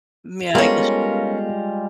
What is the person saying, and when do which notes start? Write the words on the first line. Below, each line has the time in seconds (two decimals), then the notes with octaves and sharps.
Yeah, I guess.
0.55 G3 G#3 B3 C#4 F4 A4 A#4 F5